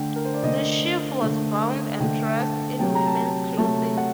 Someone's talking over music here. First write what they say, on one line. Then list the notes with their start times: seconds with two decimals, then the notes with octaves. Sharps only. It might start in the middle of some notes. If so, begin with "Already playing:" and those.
The sheaf was bound and dressed in women's clothing.
Already playing: D3 A3 G5
0.16 A#4
0.25 C5
0.34 D5
0.43 D3 A3 D#5
1.22 D3 A3
2.00 D3 A3 G5
2.40 A5
2.79 C3 F#3 A3 G5
2.95 A#5
3.06 A5
3.58 C3 F#3 A3 A5
3.97 F#5